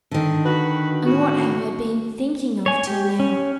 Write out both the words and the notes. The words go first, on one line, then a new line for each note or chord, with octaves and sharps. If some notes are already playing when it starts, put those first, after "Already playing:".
"And what have I been thinking of till now?"
D3 D#3
F#4 B4
A2 B3 F#4
C#5 G#5
G4
C#4